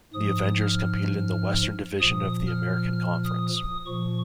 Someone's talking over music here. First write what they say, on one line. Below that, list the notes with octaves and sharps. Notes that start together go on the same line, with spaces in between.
The Avengers competed in the Western Division of the American Conference.
G#2 F3 D#6
F6
A#2 F3 D#6
F6
F6
D#6
D#6
A#2 F3 C#6